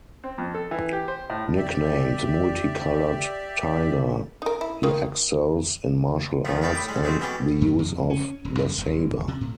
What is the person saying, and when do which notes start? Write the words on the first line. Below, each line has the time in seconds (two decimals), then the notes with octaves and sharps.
Nicknamed "Multicoloured Tiger", he excels in martial arts and the use of the saber.
0.24 C4
0.38 F2
0.54 A4
0.71 E3
0.93 G4
1.08 C5
1.30 A2
1.55 G4 D5 E5
4.42 D#4 A#4
4.61 E4
4.83 D#3 A#3 F4
6.45 D#3 F3 A3
6.61 A#2 D#4 E4 D5 F5 G5
6.75 A2 E4 G4 D#6
6.88 G3 G#3 A4
7.03 G2 F#3 G#3 A3 C4 C5
7.20 B2 E3 F#3 C#4 G4 A4
7.61 F#2
7.79 F2
8.10 C#4
8.45 D#1
8.59 F#2
8.78 D#1
9.28 C3
9.41 A2